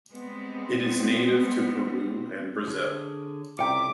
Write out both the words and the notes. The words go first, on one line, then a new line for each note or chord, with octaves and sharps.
It is native to Peru and Brazil.
G3 G#3 B3 C4
D3 G#4 C#5
C2 C#3 F4 E5 G5 D6 C#7